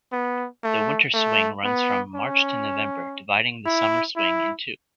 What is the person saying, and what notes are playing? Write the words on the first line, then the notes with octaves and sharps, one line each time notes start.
The Winter Swing runs from March to November, dividing the Summer Swing in two.
B3
A3
A3
B3
C#4
E4
E4